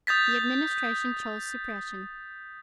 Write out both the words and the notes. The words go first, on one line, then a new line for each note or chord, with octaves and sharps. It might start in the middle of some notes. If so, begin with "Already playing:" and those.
The Administration chose suppression.
D#6 G6 A6 B6